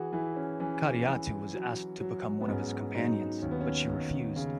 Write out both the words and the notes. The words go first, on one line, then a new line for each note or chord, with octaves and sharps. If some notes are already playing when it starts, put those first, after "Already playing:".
Kadiatu was asked to become one of his companions, but she refused.
Already playing: E3 F#4 G#4
E3 E4
C#4
E3 C#4
E3
F#3
F#3
B3
G#2 C#4
F#3 D#4
D#2 C#4
B3
C#4
D#2
C#3